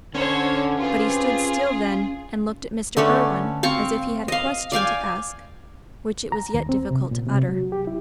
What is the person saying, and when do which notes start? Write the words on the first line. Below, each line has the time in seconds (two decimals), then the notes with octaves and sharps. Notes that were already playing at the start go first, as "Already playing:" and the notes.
But he stood still then, and looked at Mr. Irwine, as if he had a question to ask which it was yet difficult to utter.
0.15 D3 C#4 A4 C5 C#5
0.79 C4 F4 G4 G#4 B4
2.97 D3 A3 C#4 B4
3.63 C4 F5 C#6
4.28 D#5 F5
4.72 D5 F5 G5 G#5
6.32 A#5
6.54 D#2
6.69 C4
6.91 C3
7.11 A#2
7.27 C3
7.49 F#3
7.72 G4
7.87 E4